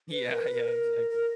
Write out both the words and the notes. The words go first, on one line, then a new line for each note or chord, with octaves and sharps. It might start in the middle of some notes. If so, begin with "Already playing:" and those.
Yeah, yeah, exactly.
B4
A#4
B4
A#4
A#4